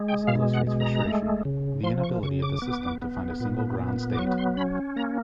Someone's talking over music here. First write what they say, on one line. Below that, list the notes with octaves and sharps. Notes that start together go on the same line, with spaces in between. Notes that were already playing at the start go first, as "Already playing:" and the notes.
This illustrates frustration: the inability of the system to find a single ground state.
Already playing: G#3
G5
B2 F5
F#5
G#3
A#5
A3
C#3
F3 C6
C#6
C#3 C#6
D6
B3
B3
A#2
B3
D6
F#3 C#6
C6
C#4 B5
A#3 A#5